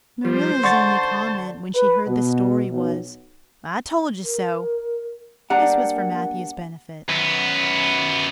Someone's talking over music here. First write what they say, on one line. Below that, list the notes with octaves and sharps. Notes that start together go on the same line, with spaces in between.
Marilla's only comment when she heard the story was, "I told you so." This was for Matthew's benefit.
F3 G3 C5
D3 A5 C6 C#6 A6
B4
B2
B1
A#4
G3 A#3 D4 F#5 A#5
F#2 B3